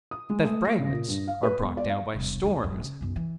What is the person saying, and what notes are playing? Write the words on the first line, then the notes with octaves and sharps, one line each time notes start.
That fragments are brought down by storms?
D#6
G#3
A3
A#6
C#3
A#2
G2
F5
B4
E1
D5
F5
E1 C2
D#2 D3
D1 F#2
C#3
B1 F#2
E3